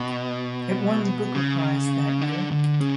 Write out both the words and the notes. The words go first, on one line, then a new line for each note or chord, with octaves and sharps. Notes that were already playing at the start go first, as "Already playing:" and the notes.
It won the Booker Prize that year.
Already playing: B2
C#3
D3
D3
C#3